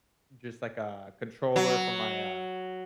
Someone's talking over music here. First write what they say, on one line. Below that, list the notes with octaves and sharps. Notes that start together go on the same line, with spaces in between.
just, like, a controller for my, uh,
F#3